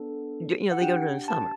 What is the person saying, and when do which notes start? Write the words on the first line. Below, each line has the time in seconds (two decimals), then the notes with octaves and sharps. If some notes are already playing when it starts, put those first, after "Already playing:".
D you know, they go during the summer.
Already playing: B3 D4 A4
0.71 F#5
0.82 D4 G4 G5
1.28 A5